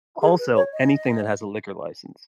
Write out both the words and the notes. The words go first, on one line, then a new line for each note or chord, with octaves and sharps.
Also, anything that has a liquor license.
G#4
B4
C#5
D#5